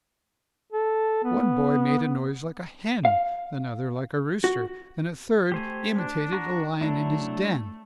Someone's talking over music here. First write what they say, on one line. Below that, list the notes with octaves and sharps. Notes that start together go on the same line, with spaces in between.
One boy made a noise like a hen, another like a rooster, and a third imitated a lion in his den.
A4
B3
F5
F#4
A3 G4 C5 G#5
D4
F#4 A#5
F#3 A3 D4 E4